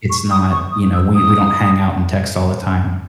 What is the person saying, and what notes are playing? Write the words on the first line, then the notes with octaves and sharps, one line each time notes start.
it's not, you know we we don't hang out and text all the time.
C#6
D#6
C#6
D#6
E6
D#6